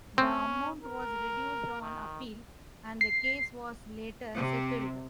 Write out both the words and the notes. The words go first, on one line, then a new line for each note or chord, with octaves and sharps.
The amount was reduced on appeal and the case was later settled.
C4 C#4
A#4
D#3
C7
C3